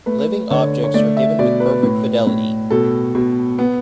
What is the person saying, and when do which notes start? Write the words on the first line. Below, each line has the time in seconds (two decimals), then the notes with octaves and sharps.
Living objects are given with perfect fidelity.
0.06 A3 B4
0.51 D3 C#5
0.84 C#5
0.94 A3 D5
1.17 E5
1.39 B2 D5
1.60 B4
1.83 A2
2.27 A2
2.70 B2 A4
3.15 B2
3.59 B3